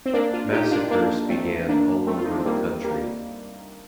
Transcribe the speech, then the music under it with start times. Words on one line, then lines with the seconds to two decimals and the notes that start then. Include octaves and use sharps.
Massacres began all over the country.
0.06 C4
0.14 A#3 D4
0.33 D4 F4
0.52 D#4 G4
0.71 D4 F4
0.91 A#3 D4
1.29 A3 C4
1.69 A#3 D4
2.07 A3 C4
2.17 F4
2.24 D#4
2.31 D4
2.38 C4
2.46 G3 A#3
2.84 G3 A#3